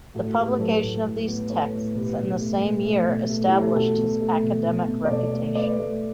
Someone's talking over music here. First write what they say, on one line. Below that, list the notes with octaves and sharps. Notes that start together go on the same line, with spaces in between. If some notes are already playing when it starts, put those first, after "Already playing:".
The publication of these texts in the same year established his academic reputation.
A2 F#4 A4
A2 G4 B4
B4
F#3 A4 C#5
A2
A2
B3
B3 A4 C#5
A2
B2 G4 B4
B2
A3
B2
A3
B2
A3
E4 G4
A3
A4 C#5
B2 F#4 A4
B2
A3
B2
B2
B2
D5
B2 A4 C#5
A3
A3 B4 D5
A3